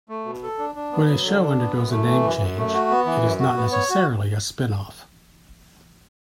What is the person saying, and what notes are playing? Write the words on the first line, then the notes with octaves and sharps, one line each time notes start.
When a show undergoes a name change, it is not necessarily a spin-off.
A3
B2
A4
D4
D4
B3
F#3
D3
D4
B3
F#2
A3
E3
F#2
F#2
A3
F#4
B3
E3
F#2
F#4
B3
C#5
F#4